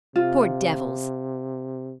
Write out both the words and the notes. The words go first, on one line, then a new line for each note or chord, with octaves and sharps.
Poor devils!
C3 F4